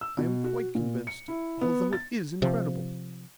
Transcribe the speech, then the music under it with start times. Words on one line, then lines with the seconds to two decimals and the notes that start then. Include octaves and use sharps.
"I am quite convinced, although it is incredible!"
0.01 E6
0.18 B2
0.44 F#4
0.75 A#2
1.07 C#7
1.28 E4
1.61 B3
1.93 A6
2.42 C3 F3